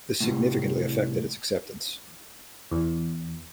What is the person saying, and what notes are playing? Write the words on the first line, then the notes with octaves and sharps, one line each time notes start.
This significantly affected its acceptance.
C2 A2
E2